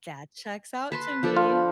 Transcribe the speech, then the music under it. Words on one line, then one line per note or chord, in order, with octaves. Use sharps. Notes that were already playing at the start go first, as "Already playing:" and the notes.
That checks out to me.
B4 A5 C6
F3 D4 A4
F4